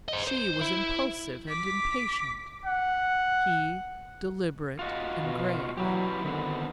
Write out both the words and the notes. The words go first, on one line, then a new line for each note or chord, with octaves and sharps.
She Was impulsive and impatient, he deliberate and grave.
C5 D#5
C5
E4
D6 B6
F#5
F4 F#4 D#5
B2
E3 F#3 E4 G4
D3 D#3 B3 C4